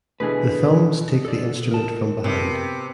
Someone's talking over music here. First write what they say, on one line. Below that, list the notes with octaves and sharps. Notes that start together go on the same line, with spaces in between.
The thumbs take the instrument from behind.
B2 D3 E3 G#4 B4
A4 D5
A#4 A5
C3 B3